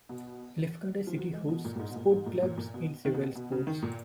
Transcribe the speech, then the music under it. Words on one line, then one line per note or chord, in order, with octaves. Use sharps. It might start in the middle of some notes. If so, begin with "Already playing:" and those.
Lefkada City hosts sport clubs in several sports.
B2
F3
F#3
G#3
B2
A#2
A#2
G#2
B2
A#2
G#2
A#2
A#2
A#2
B2
D#3
B2
B2
C#3
D#3
A#2